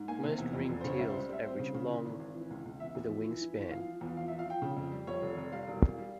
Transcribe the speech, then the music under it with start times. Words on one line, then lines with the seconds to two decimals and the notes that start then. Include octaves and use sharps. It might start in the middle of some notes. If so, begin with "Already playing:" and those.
Most ringed teals average long, with a wingspan.
Already playing: G#2
0.08 A#3 G#5
0.24 C3
0.38 E2
0.53 F2
0.69 F1
0.81 C#3 C5
0.89 C#5
0.99 C#2 E5
1.10 G3 C5
1.29 G3 E5
1.44 C4 C5
1.59 C#3
1.75 C#3
1.89 E3
2.05 G#1
2.19 G#1
2.35 E3
2.50 C#2
2.65 C#2
2.80 E2 E5
2.95 E2
3.10 F3
3.25 E3
3.41 E3
3.55 E3
3.71 F3 F5
3.86 F3
4.01 E2
4.16 F3 F5
4.28 F3 E5
4.39 F5
4.46 F3 G5
4.62 C#3
4.77 F2
4.92 G3
5.07 F2 C#5
5.22 F1
5.37 F1
5.52 G3 F5
5.68 E1
5.82 E1
5.98 G3